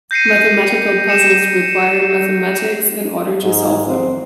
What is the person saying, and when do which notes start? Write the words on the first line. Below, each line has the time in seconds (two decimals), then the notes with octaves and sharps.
Mathematical puzzles require mathematics in order to solve them.
0.11 G6 A#6 C7 C#7 D#7
1.09 C#7 E7
3.43 G#2
3.87 C4